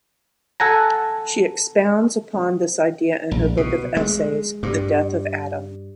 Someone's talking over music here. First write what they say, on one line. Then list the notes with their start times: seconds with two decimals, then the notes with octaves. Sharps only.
She expounds upon this idea in her book of essays, The Death of Adam.
0.60 A4 F#5 G#5 A#5
3.31 A#1
3.57 B2
3.97 G#3
4.63 G2